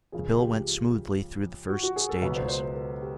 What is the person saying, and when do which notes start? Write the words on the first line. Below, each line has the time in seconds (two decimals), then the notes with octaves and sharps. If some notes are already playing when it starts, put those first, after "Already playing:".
The bill went smoothly through the first stages.
0.12 C#2 C#3 F3 G#4
0.39 G4
1.69 F#4
1.83 F#4
1.96 G#4
2.09 A4
2.22 C#2 B2 F#3 B4
2.36 C5
2.49 C5
2.62 B4
2.74 A4
3.01 G4